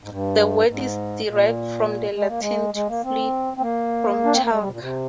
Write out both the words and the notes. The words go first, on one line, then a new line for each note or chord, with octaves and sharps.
The word is derived from the Latin 'to flee from chalk'.
G#2
G2
G#2
A#2
G#3
A#3
G#3
G#3
A#3
C4
C4
A#3
D4
C4
A#3
G#3
G3
C3
A#2
C3